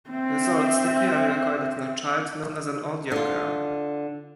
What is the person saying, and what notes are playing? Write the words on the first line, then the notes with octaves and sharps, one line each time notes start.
Results typically are recorded on a chart known as an audiogram.
C4 E5
D3 F4